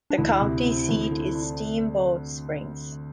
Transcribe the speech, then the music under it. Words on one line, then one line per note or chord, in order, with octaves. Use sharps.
The county seat is Steamboat Springs.
D4
D2 E4
C3
C4
D2
D3
D4